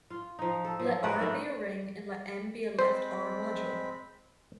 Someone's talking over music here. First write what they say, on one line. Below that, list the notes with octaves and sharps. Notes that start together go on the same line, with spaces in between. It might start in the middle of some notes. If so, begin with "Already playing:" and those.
Let "R" be a ring, and let "M" be a left "R"-module.
F4
F3 D#4
A4
F3 F#3
A#3 F#4 G4 B4
D#3 G3 A3 D4
G#3 C4 C5 B5